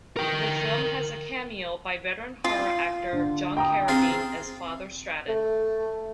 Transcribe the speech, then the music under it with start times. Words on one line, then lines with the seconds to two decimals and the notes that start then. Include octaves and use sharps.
The film has a cameo by veteran horror actor John Carradine as Father Stratten.
0.17 A#4 G5
2.44 F4
3.13 D3
3.57 G5 A#5 D#6
3.88 C4 F4 G#4
5.28 A3